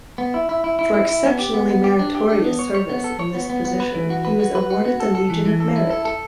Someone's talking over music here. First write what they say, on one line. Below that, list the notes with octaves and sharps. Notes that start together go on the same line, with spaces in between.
For exceptionally meritorious service in this position, he was awarded the Legion of Merit.
B3
E4
E4
E4
E4
E4
E4
B3
G4
B3
B3
G4
D4
G4
D4
B3
C#5
C#5
B3
A4
C#5
B3
B3
B3
B4
E3
F#4
B4
F#4
B4
F#4
F#4
A4
A4
E3
E3
A4
E4
A4
A4